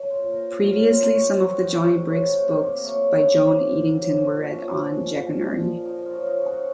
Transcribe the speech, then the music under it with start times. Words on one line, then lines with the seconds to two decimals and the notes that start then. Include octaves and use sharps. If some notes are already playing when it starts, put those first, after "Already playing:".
Previously some of the Jonny Briggs books by Joan Eadington were read on Jackanory.
Already playing: F#3
0.10 A#2 C5
0.31 A#4
0.38 A#2
0.52 A4
0.65 F#3
0.72 A#4
0.92 F#3 C5
1.14 C#5
1.20 C3
1.34 C5
1.47 D#3 A4
1.54 F#4
1.75 C3 A3
2.02 F#3
2.30 C3
2.57 C3 A#3
2.77 A#3
2.84 F#3 A3
3.12 F#3 A#3
3.19 C4
3.27 A#3
3.39 C3 A#3
3.66 C3 C4
3.94 F#3 C4
4.21 A#2 C#4
4.49 F3
4.76 F3
5.03 A#2
5.31 A#2
5.58 F3
5.85 F3 D#4
6.06 F4
6.13 F#2
6.27 D#4
6.41 C#3
6.47 F#4